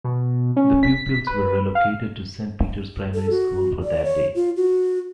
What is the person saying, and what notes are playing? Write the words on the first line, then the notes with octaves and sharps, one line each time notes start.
The pupils were relocated to Saint Peters Primary School for that day.
B2
C#4
B6
B4
F5
A4
F#4
D5
C#5
F4
F#4